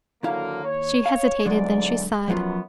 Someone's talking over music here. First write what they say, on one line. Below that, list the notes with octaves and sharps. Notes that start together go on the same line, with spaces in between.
She hesitated; then she sighed.
D#2 D3 F#3 A#3 E4 F5
C#5
F5
E2 G#2 D3 F#3 G#3 D5
F#2 F3 F#3 B3 F4